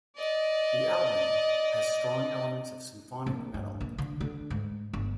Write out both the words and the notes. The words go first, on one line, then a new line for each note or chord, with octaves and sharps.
The album has strong elements of symphonic metal.
D5 D#5
A#1
G2
A#1
D3
D3
G#2
G1